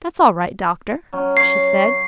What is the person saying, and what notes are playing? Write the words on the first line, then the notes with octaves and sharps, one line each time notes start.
"That's all right, Doctor," she said.
F#3 C#4
C#5 C7